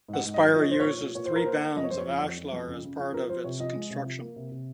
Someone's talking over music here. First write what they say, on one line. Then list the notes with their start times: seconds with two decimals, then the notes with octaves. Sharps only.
The spire uses three bands of ashlar as part of its construction.
0.08 G#2
0.13 F#5
0.24 G#2
0.34 D#5
0.39 F#3
0.54 F3 D#5
0.63 C#5
0.70 A#2 C5
0.80 C#5
0.85 F3
1.00 A#2
1.15 A#2 C#5
1.26 A#3 C5
1.36 A#4
1.46 A#3 C5
1.61 A#3
1.77 F2 D#5
1.84 C#5
1.91 F2 C5
1.98 C#5
2.07 F3
2.22 F2
2.38 F3
2.53 F2
2.68 C#3
2.84 C#3
2.99 F3
3.14 F3 A#4
3.29 F3 C5
3.44 C3 C#5
3.60 F3 D#5
3.75 G#3
3.90 C3
4.06 F3
4.21 A#3
4.36 C3
4.52 C3